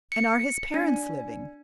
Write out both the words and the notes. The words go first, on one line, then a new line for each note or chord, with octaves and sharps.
"And are his parents living?"
C#7
D4